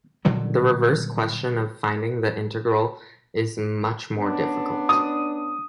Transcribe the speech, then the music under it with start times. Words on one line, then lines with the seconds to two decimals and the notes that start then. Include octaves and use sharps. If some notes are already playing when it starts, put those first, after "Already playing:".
The reverse question of finding the integral is much more difficult.
0.25 A#2 D3 F#3 G3
4.18 B3 C#4 D4
4.89 D#6